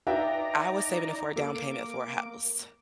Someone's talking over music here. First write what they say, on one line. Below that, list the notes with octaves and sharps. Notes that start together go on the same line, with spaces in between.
I was saving it for a down payment for a house.
D#4 B4 D5 E5 G5 A#5
A#3 A4 D6